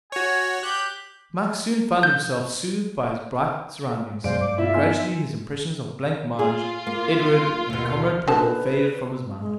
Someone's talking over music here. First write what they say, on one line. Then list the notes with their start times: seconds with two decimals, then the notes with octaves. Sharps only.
Mike soon found himself soothed by his bright surroundings, and gradually his impressions of blancmange, Edward, and Comrade Prebble faded from his mind.
0.12 F#4 C#5 G#5
0.63 G4 F#6 G6
2.03 G6
4.24 F#2 B2 G#3 C5 D5 F5 D7
4.40 G2 D6
4.58 E4 F4 E5
4.74 B3 D#4 G#5 C6
6.39 F4 G#4
6.87 A#3
7.70 D#2 B2
8.28 D3 D#3 B4 A5
9.39 G#3